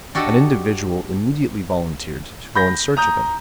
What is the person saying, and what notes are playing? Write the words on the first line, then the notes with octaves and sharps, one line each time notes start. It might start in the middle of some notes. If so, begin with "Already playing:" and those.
An individual immediately volunteered to go in search of him.
D4 F#4 G4 A4 D#5
B5 G6 A#6
A#5 D#6 G6